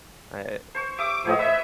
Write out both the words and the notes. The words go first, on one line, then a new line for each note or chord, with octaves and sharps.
I it
C5 C#6
G4 E5 D6 D#6
A2 F3 C5 C#5 D#5
B4 E5